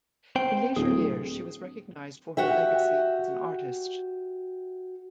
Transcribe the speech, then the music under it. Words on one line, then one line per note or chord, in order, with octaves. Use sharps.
In later years she was recognized for her legacy as an artist.
C4 C5 G5
D1 G#4
F#4 G4 E5